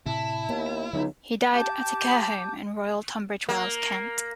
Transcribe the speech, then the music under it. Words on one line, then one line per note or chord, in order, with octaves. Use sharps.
He died at a care home in Royal Tunbridge Wells Kent.
A2 C3 E4 A5
D#2 A#3 B3
C#2 D3 F#3 B3 D#4
G4 A5 D6 G6
A#3